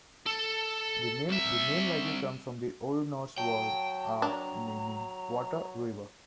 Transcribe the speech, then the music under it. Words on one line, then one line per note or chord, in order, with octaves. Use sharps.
The name likely comes from the Old Norse word "aa", meaning 'water, river'.
A4
C2 E5
F#3 G5 A5
D4 A#5